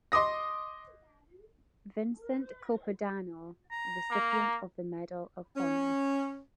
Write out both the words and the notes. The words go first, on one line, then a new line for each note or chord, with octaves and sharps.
Vincent Capodanno, recipient of the Medal of Honor.
D#5 C6 D6 D#6 A#6
A#5
A#3
C#4